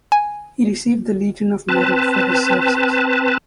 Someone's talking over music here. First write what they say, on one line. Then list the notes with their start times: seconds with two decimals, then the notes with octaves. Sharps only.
He received the Legion of Merit for his services.
0.12 G#5
1.69 C4 B4 A5